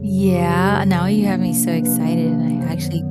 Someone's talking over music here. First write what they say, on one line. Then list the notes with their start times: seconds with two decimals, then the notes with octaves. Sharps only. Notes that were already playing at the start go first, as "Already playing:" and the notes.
Yeah, and now you have me so excited, and I actually
Already playing: F#2 C#3 F#3
0.26 G4
1.04 C3 F3 A#3 D4
1.81 B4
2.21 B4
2.58 F#2 D#3 F#3 B3 C5